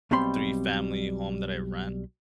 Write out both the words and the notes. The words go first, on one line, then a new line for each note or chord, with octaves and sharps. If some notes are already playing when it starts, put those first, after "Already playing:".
three-family home that I rent.
B1 B2 G3 C4 B5 C6